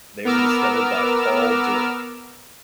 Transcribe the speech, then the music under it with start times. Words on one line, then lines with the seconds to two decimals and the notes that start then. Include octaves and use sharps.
They were discovered by Paul Dirac.
0.25 B3 A#4 D6 E6 F6